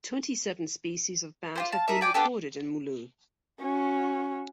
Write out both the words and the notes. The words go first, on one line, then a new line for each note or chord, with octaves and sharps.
Twenty seven species of bat have been recorded in Mulu.
F4 G4 C5
F5 A5
D#4 A#4 E5
D5 G5 G#5
B3 D4 G4 A4
C#4 F#4